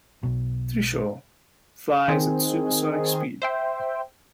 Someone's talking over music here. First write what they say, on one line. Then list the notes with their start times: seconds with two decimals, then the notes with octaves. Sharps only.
Trishul flies at supersonic speed.
0.23 B1 B2
2.08 D#3 C4 G#4
3.42 C5 E5 G5